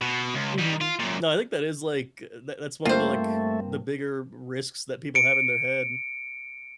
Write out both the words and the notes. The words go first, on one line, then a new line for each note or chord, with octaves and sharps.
Mhm. No, I think that is, like, that that's one of the, like, the bigger r risks that people have in their head.
B2
C#2
G3 D#4
F4
F#2 A#2
G2 A3 A#3 C4 F4 C5
C#7 D7